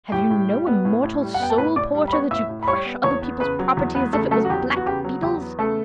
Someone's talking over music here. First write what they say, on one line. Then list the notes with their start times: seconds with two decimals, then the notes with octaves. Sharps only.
Have you no immortal soul, porter, that you crush other people's property as if it was blackbeetles?
0.12 A2 G4 G5
0.30 A2
0.49 G3
0.67 B3
0.85 A2
1.03 A2
1.21 G3
1.34 F#5
1.39 B3 G5
1.50 A5
1.58 A2 B4 B5
1.76 A2 D5 D6
1.94 G3
2.08 B5
2.12 B3 C#5 C#6
2.31 A2 E5 E6
2.49 A2
2.63 B5
2.67 G3 C#5 C#6
2.85 B3
3.04 E2 C#5 C#6
3.22 B3
3.40 C#3 B4 B5
3.59 F#3
3.77 E2
3.95 B3 B4
4.13 C#3 A3 A4
4.31 F#3 A3 A4
4.45 F#4
4.50 E2 G4
4.68 B3
4.77 F#4
4.86 C#3 G4
5.04 F#3
5.22 E2 G4
5.41 B3
5.59 C#3 A3 A4